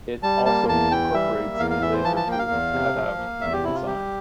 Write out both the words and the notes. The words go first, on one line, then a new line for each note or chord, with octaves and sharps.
It also incorporates a laser tool to cut out any design.
G3 A5
A#3 A5
E2 A5
E3 G5
G3 E5
A#3
E2 F5
F5
E3 E5
C5
F3 A5
A5
A#3 G5
F5
E2
C3
F3
A#3
E2 E5
G4
C3 E4
F4
G3 G4